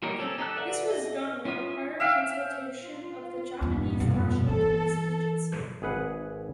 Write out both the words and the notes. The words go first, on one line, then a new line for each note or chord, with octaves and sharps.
This was done without prior consultation of the Japanese National Police Agency.
F#3 G3 A#3 D#4 G4
C4 C#4 A4
D#4 G4 A4 F#6
A4 B4 D5 E5 F#5
D#5
C#4 F4 E5 D#6
E5 F5 G5
F4
E2 G2 A#2 B3 C#4
F2 B2
E3 A4
G#1 G#4 B4 F#5